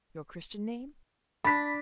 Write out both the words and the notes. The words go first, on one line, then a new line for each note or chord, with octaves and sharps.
"Your Christian name?"
D4 B5 B6